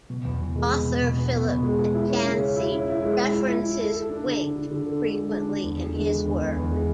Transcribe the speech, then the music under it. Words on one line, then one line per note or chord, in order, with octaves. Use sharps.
Author Philip Yancey references Wink frequently in his work.
B2
E2
B2
G#3
B2
B3
B2
B3
B3
B2
G#3
G#3
E4
C#4
C#3
C#4
E4
C#4
E4
G#3
G#3
E4
E4
E4
A4
A4
D4
D3
D3
D3
D3
A4
G#3
G#3
D4
D3
E2
D3
G#3
D3
E2
E2
E2
G#3